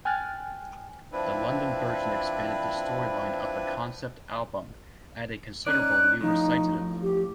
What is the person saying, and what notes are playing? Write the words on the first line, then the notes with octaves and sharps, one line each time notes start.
The London version expanded the storyline of the concept album, adding considerable new recitative.
G5 G#5 F6 F#6 A6
F3 C4 D4 E4 B4
C#4 D#4 D5 F#6
A2 F3 D#4
G4